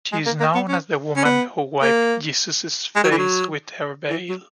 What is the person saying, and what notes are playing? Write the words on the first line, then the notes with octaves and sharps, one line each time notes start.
She is known as the woman who wiped Jesus's face with her veil.
G#3
A#3
A#3
B3
C#4
C#4
B3
A#3
G#3
F#3
E3
F#3
E3
F#3